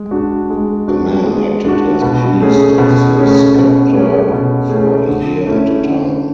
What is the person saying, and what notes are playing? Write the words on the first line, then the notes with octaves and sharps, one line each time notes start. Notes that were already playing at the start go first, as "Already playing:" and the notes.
A man acted as priest of the scepter for a year at a time.
Already playing: G#3
D4 F#4
G#3
D4 F#4
G#3
D4 F#4
B2
A3 C#4 G#4
B2
A3 C#4 G#4
B2
A3 C#4 G#4
B2
A3 C#4 G#4
D3
A3 C#4 E4
D3